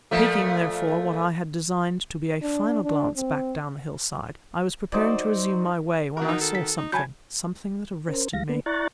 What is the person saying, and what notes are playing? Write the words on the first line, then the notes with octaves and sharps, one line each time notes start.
Taking, therefore, what I had designed to be a final glance back down the hillside, I was preparing to resume my way when I saw something--something that arrested me.
A#2 F3 A3
D4
D4
C4
F#3 D#4 C5 D5
D#3 F#4 A#4
D#4
A4
B6
D#4
F#3 G#5 A5 B5 G6 G#6
C#4 A#4 C5
D2 E3 G3 G#3 F5 A#6
A#3 B3 D4 B4
E4 D5 A#5 C#6 F#6 A6